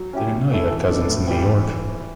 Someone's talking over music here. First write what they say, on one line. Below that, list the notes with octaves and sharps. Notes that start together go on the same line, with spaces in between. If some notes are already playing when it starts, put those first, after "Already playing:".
Didn't know you had cousins in New York.
Already playing: F#3
C#4 E4 G4
B2
A3 C#4 E4 A4
E3
B3 D4 A4
A2
E3 G3
E3